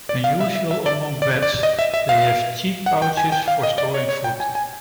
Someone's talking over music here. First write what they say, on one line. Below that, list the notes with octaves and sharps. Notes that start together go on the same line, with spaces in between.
Unusual among bats, they have cheek-pouches for storing food.
D5
F5
E5
E5
E5
D5
D5
D5
D#5
E5
E5
F5
F#5
G5
G#5
G5
F5
D#5
D5
C#5
C#5
G5
G#5
G#5